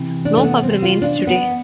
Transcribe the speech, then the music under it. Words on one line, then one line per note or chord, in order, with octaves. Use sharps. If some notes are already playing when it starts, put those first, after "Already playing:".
No pub remains today.
Already playing: C3 E3
D4
A3
B3
C4
F4
D4
B3